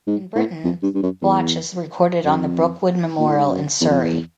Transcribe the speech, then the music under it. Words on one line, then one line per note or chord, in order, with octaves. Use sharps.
In Britain, Bloch is recorded on the Brookwood Memorial in Surrey.
G#2
A2
F2
G2
G2
F#2
E2
F#2
F2
A#2
A2
G#2
G2
F#2
E2
F2
E2